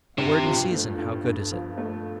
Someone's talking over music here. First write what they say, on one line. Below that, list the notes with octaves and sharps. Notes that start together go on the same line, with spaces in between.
A word in season, how good is it?
G2 C3
F3
A3
G2
G2
F3
A3